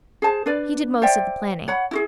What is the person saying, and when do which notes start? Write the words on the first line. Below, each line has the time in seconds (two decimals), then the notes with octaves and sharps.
He did most of the planning.
0.22 G#4 C5 A5
0.46 D4 B4 D5
1.02 C5 D5 E5 G5
1.68 C#5 F#5 B5
1.91 E4 F#4 G#4